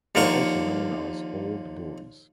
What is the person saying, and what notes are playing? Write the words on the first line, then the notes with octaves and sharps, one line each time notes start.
They are also known as 'Old Boys'.
D#2 D3 F3 A#4 F#5 C#6